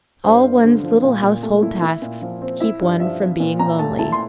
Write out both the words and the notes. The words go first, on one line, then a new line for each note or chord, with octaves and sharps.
All one's little household tasks keep one from being lonely.
G2 C5
G2
D3
F3
A#2
A#2
A3
E4
E4
A#2
F3
C4
E4 E5
G2
F3 E5
C4
A#2
A#2 A#5
A3 A5
E4 A5
C6